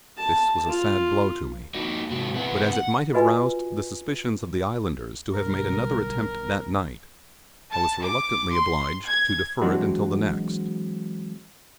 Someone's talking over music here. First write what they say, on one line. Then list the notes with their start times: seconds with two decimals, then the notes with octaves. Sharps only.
This was a sad blow to me; but as it might have aroused the suspicions of the islanders to have made another attempt that night, I was reluctantly obliged to defer it until the next.
0.18 A5
0.69 F4
1.74 A#3 D#4 F#4 D#5
2.10 G#2 C3 F#4
2.35 C3 E3 B4 E5 F#5 G#5
2.72 F#5
3.14 F4 F#4 B4 D#5 G#5
5.34 B1 D3 G3 A#4
7.72 A5
8.03 D6
8.54 C6
9.07 G#6
9.62 E3 F#3 G#3 C4 D4 F#4